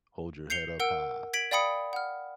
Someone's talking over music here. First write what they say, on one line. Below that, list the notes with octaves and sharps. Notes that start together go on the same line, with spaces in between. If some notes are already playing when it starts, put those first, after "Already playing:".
Hold your head up high.
G6 C7 C#7 F7 G7
A#4 F#5 E6 D7
G#6 B6 D7 F#7
D5 F5 G5 B5 D#6 C#7
F#5 F6